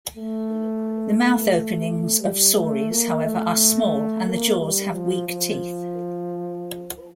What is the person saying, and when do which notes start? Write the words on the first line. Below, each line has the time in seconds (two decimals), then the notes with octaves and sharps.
The mouth openings of sauries, however, are small and the jaws have weak teeth.
0.17 A3
2.20 G3
2.55 A3
2.90 A#3
3.23 A3
4.26 A#3
4.59 G3
4.94 F3
5.28 F3